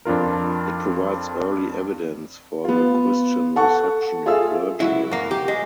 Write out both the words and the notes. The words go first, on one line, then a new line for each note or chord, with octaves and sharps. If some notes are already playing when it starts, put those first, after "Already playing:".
It provides early evidence for the Christian reception of Virgil.
F2 D4 F4 A#4
B3 F4
A4 F#5 A5 C#6
F4 G#4 A4 E5 F5 E6
F#3 E4
F#2 A#3
G4
G#3